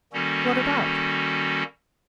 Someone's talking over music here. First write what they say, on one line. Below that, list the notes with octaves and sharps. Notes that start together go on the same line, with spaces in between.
"What about?"
D#3 G3 A#3 C#4 F#4 A4